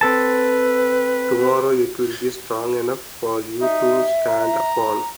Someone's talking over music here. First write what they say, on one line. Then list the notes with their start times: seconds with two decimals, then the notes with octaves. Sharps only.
Tomorrow it will be strong enough for you to stand upon.
0.01 C4 A4 B4 A5
3.62 D#4 E5
4.29 A#5